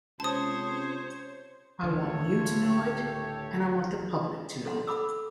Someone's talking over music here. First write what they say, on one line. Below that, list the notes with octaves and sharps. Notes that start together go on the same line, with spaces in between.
I want you to know it, and I want the public to know it.
C#2 C3 C5 C#5 A5 D#6
C#2 A2 D3 D4 A4 C#5
F4
G4
A4 F#5 C6
A4 F#5 B5 D6 E6